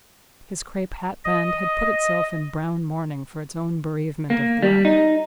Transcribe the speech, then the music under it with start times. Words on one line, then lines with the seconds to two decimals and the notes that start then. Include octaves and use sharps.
His crape hat-band had put itself in brown mourning for its own bereavement of black.
1.25 D#5
4.30 A#3
4.63 G3
4.85 D#4